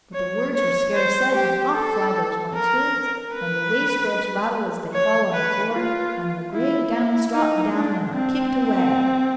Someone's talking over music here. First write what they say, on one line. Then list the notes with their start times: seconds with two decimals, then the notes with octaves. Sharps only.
But the words were scarce said, when off fly those monks' hoods, and the waist-ropes rattle as they fall on the floor, and the gray gowns drop down and are kicked away.
0.14 C#5
0.54 C#5
0.94 C5
1.34 G4
1.74 A4
2.55 A#4
3.34 B4
4.94 C#5
5.33 B4
5.73 F4
6.53 E4
6.93 E4
7.34 D#4
7.74 D4
8.13 C4